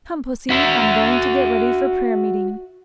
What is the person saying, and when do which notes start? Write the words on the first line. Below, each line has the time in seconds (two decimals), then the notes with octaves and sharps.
Come, pussy, I'm going to get ready for prayer meeting.
0.50 F#4 E5